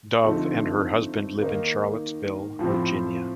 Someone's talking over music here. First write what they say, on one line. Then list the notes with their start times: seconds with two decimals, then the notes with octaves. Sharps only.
Dove and her husband live in Charlottesville, Virginia.
0.23 D3 F3 A3 C4 D#4
1.41 D#3 A#3 D#4
2.59 A2 F3 C4